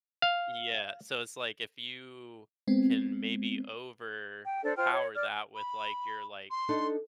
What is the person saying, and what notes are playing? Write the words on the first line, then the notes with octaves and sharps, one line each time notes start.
Yeah, so it's like, if you can maybe overpower that with, like, your, like,
F5
G#3 B3 C4
G5
D4 A4 C5 D5
F4 C5 G5 F6
C#5
D5 F6
B5
C6
D4 D#4 A4